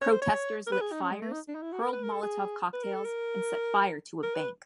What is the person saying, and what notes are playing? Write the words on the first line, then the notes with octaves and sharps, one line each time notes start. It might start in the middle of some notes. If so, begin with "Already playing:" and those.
Protesters lit fires, hurled Molotov cocktails, and set fire to a bank.
C#5
C5
C#5
A#4
B4
G#4
D#4
C#4
G#3
A3
D#4
D4
D#4
E4
F#4
A#4
B4
A#4
A4
G#4
B4
A#4
A4
A#4
A#4
B4